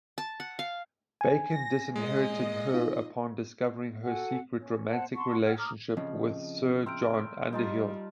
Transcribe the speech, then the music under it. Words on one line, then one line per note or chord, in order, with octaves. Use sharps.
Bacon disinherited her upon discovering her secret romantic relationship with Sir John Underhill.
A5
F#5
F5
G#5
A#6
A#2 G#3 D#5
D#4 F4
F#4 A4 F#5 G#5
C#4
C5 F#5 A5
F#5 A5 C6 C#6
A4 F#5 G5 F6
A#5 D6 D#6 F6
F2 C#3 F3 D#5
E5 G5 A#5 C6 F6 D7
G3 D#4 F4 A5